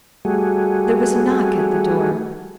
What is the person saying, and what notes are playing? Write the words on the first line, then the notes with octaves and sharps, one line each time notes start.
There was a knock at the door.
G3 A3 F#4 G#4